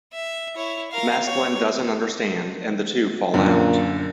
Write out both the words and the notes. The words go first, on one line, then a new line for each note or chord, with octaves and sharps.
Masklin doesn't understand, and the two fall out.
E5
E4 C#5
A#4 F5
C#5
F#2 A#2 D3